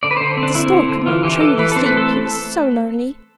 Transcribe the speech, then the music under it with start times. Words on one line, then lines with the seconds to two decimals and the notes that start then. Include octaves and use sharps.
But the Stork could not truly sleep, he was so lonely.
0.03 D3 D5
0.11 B4
0.17 D3 C5
0.37 C4
0.43 D4
0.55 C4 E4
0.72 D3
0.89 D3
1.06 E3 F4
1.23 E3 G4
1.41 E3 A4
1.58 E3 B4
1.72 C4 A4
1.86 B4
1.92 A3 A4